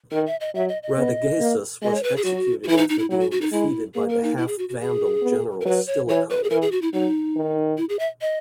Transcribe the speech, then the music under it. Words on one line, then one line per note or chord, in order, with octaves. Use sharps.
Radagaisus was executed after being defeated by the half-Vandal general Stilicho.
D#3 A#4
E5
D#5
F#3 E5
D#5
D#5
B3
A#3
G#3 D#5
C#5
B4
G#4
F#3 F#4
F#4
E3 E4
D#4
D#4
E4
F#3 E4
F#4
F#4
D#4
G#3 E4
A#3 G#4
A#4
D#4
E4
G#4
F#4
F#4
G#4
B3
A#4
F#3 B4
C#5
E3 C#5
B4
G#4
E3 A#4
G#4
F#4
E4
F#3 D#4
D#3
E4
G#4
E5
D#5